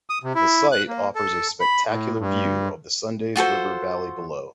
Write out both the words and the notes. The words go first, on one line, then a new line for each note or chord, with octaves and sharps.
The site offers a spectacular view of the Sundays River Valley below.
D#6
C3
E4
F#6
A#3
A4
B5
A2
G2
F4 F#4 A4 C5